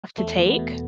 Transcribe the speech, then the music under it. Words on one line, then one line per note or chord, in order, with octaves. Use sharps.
to take.
E2 A3
E2
B3
B2